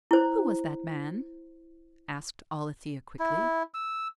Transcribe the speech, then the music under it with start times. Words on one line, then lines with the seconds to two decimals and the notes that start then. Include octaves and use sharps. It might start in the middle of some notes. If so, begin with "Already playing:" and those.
"Who was that man?" asked Alethia quickly.
0.11 E4 C5
3.19 E4
3.74 E6